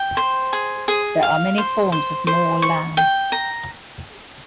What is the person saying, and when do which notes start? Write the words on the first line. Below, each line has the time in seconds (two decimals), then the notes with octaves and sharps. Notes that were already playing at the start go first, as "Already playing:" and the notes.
There are many forms of "mor lam".
Already playing: G5
0.17 C5
0.53 G#4
0.88 G#4
1.23 F5
1.58 C5
1.92 C5
2.27 C5
2.62 C#6
2.97 G5
3.32 A#5